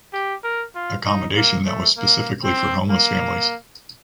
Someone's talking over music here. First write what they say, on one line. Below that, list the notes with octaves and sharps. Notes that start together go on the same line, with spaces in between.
Accommodation that was specifically for homeless families.
G4
A#4
F4
D#4
A#3
A3
A#3
C4
A#3